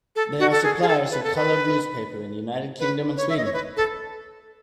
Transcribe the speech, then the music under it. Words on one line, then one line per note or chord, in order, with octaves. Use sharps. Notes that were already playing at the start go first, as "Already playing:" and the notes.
They are suppliers of colored newspaper in the United Kingdom and Sweden.
A4
F#4
A4
G#4
G#4
A4
B4
A4
B4
B4
C#5
E5
D#5
C#5
B4
A4